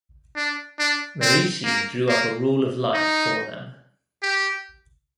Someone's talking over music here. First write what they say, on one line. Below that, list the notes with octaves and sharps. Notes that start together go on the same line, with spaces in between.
Merici drew up a Rule of Life for them.
D4
D4
C4
A#3
A#3
D#4
G4